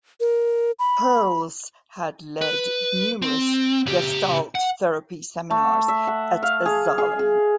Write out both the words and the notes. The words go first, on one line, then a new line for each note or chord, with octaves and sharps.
Perls had led numerous Gestalt therapy seminars at Esalen.
A#4
B5
B4
C4
C#3 G4
F#5
A3
E5
F#5
F5
G#4
G#4
G#4